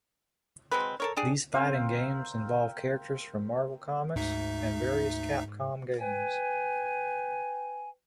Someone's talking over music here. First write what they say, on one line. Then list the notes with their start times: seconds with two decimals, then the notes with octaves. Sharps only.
These fighting games involve characters from Marvel Comics, and various Capcom games.
0.71 F#3 G#3 C4 B4
1.00 A4 A#4 C#5
1.17 D4 G4 G#4
1.54 C4 A#4 C5 F5
4.16 D2 G#2 D#4 E5
6.00 B4 G5 G#5